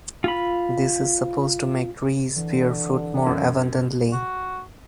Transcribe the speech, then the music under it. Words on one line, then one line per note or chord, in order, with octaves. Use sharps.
This is supposed to make trees bear fruit more abundantly.
F4 B5
D3 E3
F#2
F#4